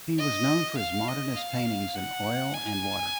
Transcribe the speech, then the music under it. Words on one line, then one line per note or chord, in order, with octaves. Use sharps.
He was known for his modernist paintings in oil and water.
D#5
F5
D#5
F5
F#5
G#5